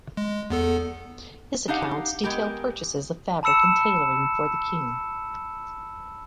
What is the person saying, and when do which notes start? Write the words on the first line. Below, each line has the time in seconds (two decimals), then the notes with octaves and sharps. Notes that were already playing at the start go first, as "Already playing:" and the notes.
His accounts detail purchases of fabric and tailoring for the king.
0.17 G#3
0.50 E2 B3 A4
1.68 D4 D#4 G4 F5 F#5
2.23 G#3 B3 G4 A#4
3.43 A5 B5 E6 C#7 E7